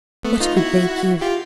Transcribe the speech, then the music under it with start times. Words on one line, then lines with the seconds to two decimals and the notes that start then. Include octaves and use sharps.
What could they give?
0.25 A3 B3
0.40 D#4 F4
0.57 E4 F#4
1.21 F4 G4